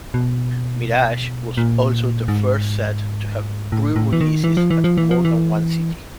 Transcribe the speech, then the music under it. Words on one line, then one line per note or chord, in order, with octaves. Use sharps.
"Mirage" was also the first set to have pre-releases at more than one city.
B2
A#2
G#2
A2
A2
E3
D#3
E3
F3
E3
F3
E3
F3
E3